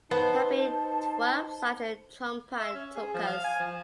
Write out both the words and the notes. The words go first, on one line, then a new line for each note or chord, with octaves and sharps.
There have been twelve such Trungpa tulkus.
B3 D#4 C5 A5
E5
C#4
G#4
F3
F5
G#5
F3